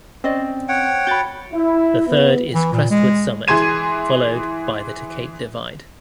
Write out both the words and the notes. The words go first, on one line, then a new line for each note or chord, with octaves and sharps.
The third is Crestwood Summit followed by the Tecate Divide.
C4 C#4 D5 D#5
C#5 F#5 G5
F#4 B5 G6 A6
E4
B3
E3
A#2
G#3
E3 G#4 C6 G#6 D#7